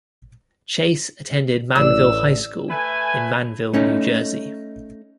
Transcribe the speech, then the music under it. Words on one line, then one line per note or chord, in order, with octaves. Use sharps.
Chase attended Manville High School in Manville, New Jersey.
A1 D4 D5 E6
A3 B4 G#5
A3 C#4 D#4